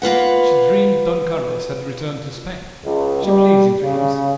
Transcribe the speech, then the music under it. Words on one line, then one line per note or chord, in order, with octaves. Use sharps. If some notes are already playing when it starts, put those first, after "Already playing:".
She dreamed Don Carlos had returned to Spain; she believes in dreams.
A#3 F4 B4 F#5
C#2
G3
C#3